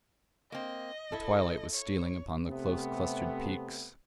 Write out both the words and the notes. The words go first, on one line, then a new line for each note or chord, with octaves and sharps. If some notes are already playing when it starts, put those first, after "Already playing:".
The twilight was stealing upon the close-clustered peaks.
A#3 C4 D#5
E4 A4
C#5
C3 A3 B3